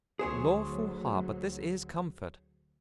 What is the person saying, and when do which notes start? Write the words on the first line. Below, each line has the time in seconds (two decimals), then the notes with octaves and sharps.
Lawful heart, but this is comfort.
0.19 D2 F#3 G#4 C5 C#5